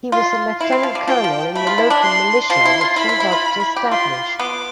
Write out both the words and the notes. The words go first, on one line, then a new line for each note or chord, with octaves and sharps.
He was a lieutenant colonel in the local militia which he helped establish.
F4 C6
E4 F5
C4
F3
G3
F3 G5
F3
A3 B5
F4
E4
D4
C6
F3 C6
E4
F4
E4 B5
E4
E4
F4
E4
G4
F4 C6
B3 D6